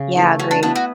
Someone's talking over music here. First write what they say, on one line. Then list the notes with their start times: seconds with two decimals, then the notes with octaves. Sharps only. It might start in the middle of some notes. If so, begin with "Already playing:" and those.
Yeah, agree.
Already playing: C#3
0.16 E3 A3
0.39 F#3 C#4
0.51 D4
0.63 B3 D4 E4 B4
0.76 F#4